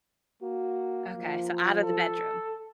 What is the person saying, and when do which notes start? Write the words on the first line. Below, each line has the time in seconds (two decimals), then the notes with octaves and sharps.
Okay, so out of the bedroom?
0.43 A#3 F#4
1.17 F3
1.82 A4